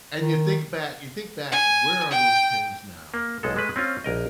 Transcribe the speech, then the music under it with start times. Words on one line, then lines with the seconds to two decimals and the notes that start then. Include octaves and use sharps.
And you think back you think back, where are those pins now?
0.19 D#3
1.52 G#5
2.11 G5
3.14 A#3
3.43 B1 G#3 A4
3.56 G#3 A3 B4
3.76 C4 C#4 F4
4.04 A#1 A#4 D#5